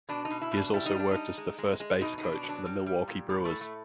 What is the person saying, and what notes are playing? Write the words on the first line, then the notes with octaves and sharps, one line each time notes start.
He has also worked as the first base coach for the Milwaukee Brewers.
B2 D4
D#4
B2
E4
B2 D4
G3 E4
D#4
G3 D4
G3 D#4
G#3
G#3
G#3
B2 D#4
D#4
B2
D4
F#3
D4
G3
G3
A#2
A2
A3
A2
A3